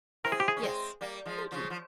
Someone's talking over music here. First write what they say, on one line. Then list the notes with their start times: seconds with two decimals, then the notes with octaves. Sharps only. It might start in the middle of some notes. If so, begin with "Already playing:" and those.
Yes, thank you.
0.24 C4 E4 A#4
0.32 G#4
0.40 G4
0.48 G#4
0.57 C#4
0.62 G#3 C4
1.01 G3 A#3
1.26 F3 G#3
1.51 C#3 F3
1.70 F3